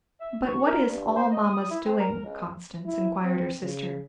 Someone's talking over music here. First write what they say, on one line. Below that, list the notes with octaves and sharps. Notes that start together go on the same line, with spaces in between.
"But what is 'all mamma's doing,' Constance?" inquired her sister.
E5
C#6
A#4
G2
C5
D#5
D#6
E4
C4
A#4
C#2
E4
C4
C#3